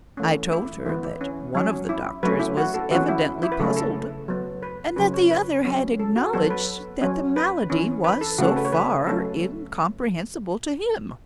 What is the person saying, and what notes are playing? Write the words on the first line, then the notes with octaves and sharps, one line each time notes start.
I told her that one of the doctors was evidently puzzled, and that the other had acknowledged that the malady was so far incomprehensible to him.
E3 A3 C#4
E4
E3 B3 E4
E4
C#4
F#3 C#4
E4
F#3 A3 C#4 B4
E4
F#4
A4
E3 C#4 F#4
E4
E4
B4
C#3 F#3 A3 C#4 A4
A4
F#3 B3
B4
C#3 F#3 C#4 B4
C#5
B4
F#3 C#4
A4
F#4
F#3 B3 A4
B4
F#3 C#4
B4
E3 C#4
B4
A4
C#3 A3 C#4 F#4
A4
B4
C#5
B4
F#3 A3 C#4 A4